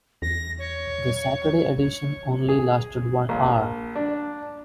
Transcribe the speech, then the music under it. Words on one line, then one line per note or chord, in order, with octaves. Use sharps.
The Saturday edition only lasted one hour.
E2 A#6
C#5
C#5
G#4
A#1
D4